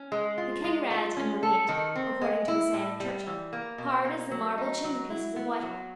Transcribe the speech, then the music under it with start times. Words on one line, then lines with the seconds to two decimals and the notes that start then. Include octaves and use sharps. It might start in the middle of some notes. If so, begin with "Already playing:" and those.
The King read, and remained, according to the saying of Churchill, hard as the marble chimneypieces of Whitehall.
Already playing: C#4
0.12 G#3
0.38 F4
0.64 G#3
0.90 F4
1.17 C#4
1.43 A4
1.69 D#3
1.96 C4
2.22 G#3
2.48 E4
2.74 A2
3.00 G3
3.26 E3
3.53 A#3
3.78 B2
4.05 A#3
4.31 F#3
4.58 D#4
4.84 F#3
5.10 E4
5.36 B3
5.62 F#3